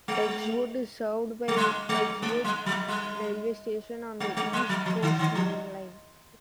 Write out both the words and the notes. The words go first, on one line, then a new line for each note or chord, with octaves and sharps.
Pegswood is served by Pegswood railway station on the East Coast Main Line.
G#3
G#3
G3
G#3
A3
G3
F#3
G3
G#3
G#3
G3
F#3
F3
D#3
D#3
F3